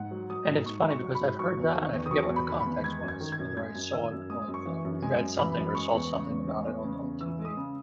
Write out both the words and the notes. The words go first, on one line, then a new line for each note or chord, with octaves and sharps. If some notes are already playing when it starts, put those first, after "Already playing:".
And, it's funny because I've heard that, and I forget what the context was, whether I saw it on or read something or saw something about it on on TV,
Already playing: G#2 F#5
F#3
F#3 D#6
G#2
G#2 C#6
F#3
C#6
F#3
B5
G#2
F#3 C#6
E2
D#3
E2
D#6
F#3 C#6
E2
B5
D#3
B5
E2
G#3 G#6
F#2
G#6
D#3
G#6
F#2
G#3 G#6
F#2
D#3 E6
F#2
G#3 D#6
F#2
C#6
E3
F#2
G#3 G#5
F#2
E3 B5
F#2
G#3 C#6
E2
C#3
E2
G#3
E2
C#3
E2
E3 E6
G#3
D#6
C#3